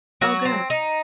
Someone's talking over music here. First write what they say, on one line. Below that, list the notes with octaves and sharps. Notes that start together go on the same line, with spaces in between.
Oh, good.
F#3 F#4
C4
D#4